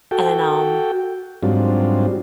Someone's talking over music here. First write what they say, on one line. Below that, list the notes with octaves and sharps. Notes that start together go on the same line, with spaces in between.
And, um,
F#4 A4 G5
G#2 F#3 G3 C4 D4 F4